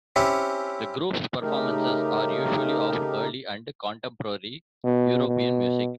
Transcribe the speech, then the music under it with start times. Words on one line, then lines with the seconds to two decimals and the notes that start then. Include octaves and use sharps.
The group's performances are usually of early and contemporary European music.
0.16 C4 C#4 E4 G4 C#5
1.42 C#3 A3 D#4 G4 A#4
4.84 B2
5.27 B2